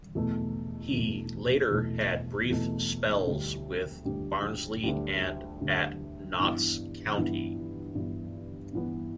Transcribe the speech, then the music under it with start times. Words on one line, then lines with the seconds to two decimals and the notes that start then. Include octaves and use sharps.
He later had brief spells with Barnsley and at Notts County.
0.15 E2 B2 A3
0.93 E2 B2 A3
1.71 E2 B2 A3
2.50 E2 B2 A3
3.27 D2 D3 G3
4.05 D2 D3 G3
4.83 D2 D3 G3
5.61 D2 D3 G3
6.39 G2 E3 B3 E4
7.17 G2 E3 B3 E4
7.95 G2 E3 B3 E4
8.73 G2 E3 B3 E4